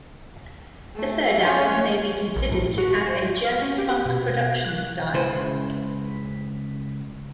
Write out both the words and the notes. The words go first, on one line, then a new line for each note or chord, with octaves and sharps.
The third album may be considered to have a jazz-funk production style.
A3
C#4 C#5
A#1
A2
F#4
C#6
C5
F6
C#4
G4
B2
F#6
C#2 C#3 C#4 E4 B4 C5